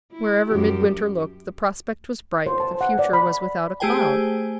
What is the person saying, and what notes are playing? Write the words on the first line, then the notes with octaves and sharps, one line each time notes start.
Wherever Midwinter looked, the prospect was bright, the future was without a cloud.
E4
F#2 G4
C5
A5
F#5
D5
B5
A3 G4 G#4 C5 G5 G#5